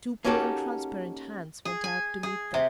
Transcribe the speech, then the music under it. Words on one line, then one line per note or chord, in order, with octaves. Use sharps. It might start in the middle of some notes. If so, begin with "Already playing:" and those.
Two pale, transparent hands went out to meet them.
A#3 C#4 D#4 F#4 G4 A4
G#4
G#5
G#4
C3